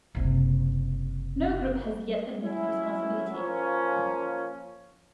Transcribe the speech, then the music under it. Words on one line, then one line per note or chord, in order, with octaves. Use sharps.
No group has yet admitted responsibility.
F#1 C3
F#3 C#4 E4
F3 A#3 C#4